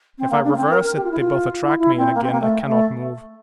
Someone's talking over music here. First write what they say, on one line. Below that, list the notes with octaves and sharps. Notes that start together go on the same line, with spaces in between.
If I reverse it, they both attract me, and again I cannot move.
C4
A#3
D4
A#3
C4
A#4
A#4
G4
F4
E4
F4
E4
E4
C4
A#3
C4
A#3
A3
A3